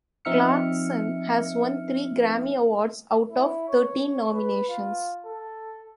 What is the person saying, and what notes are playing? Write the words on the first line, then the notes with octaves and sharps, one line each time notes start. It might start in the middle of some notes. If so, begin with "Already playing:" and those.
Clarkson has won three Grammy Awards out of thirteen nominations.
F3 C4 D#4 E5 F6 C#7
E4
C#5
B4
F4
A4